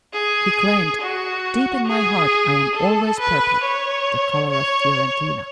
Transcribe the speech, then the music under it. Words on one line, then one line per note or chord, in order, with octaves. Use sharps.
He claimed: "Deep in my heart I am always purple", the colour of Fiorentina.
G#4
F#4
G#4
A4
B4
C#5
C#5